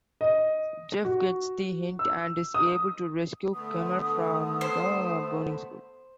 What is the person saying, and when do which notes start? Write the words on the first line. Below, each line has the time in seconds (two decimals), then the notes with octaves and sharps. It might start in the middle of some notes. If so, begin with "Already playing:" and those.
Jeff gets the hint and is able to rescue Kemal from the burning school.
0.21 D#5
1.05 F#4
1.99 E6
2.54 D#6
3.54 D3 A3 B3 D#6
4.61 C5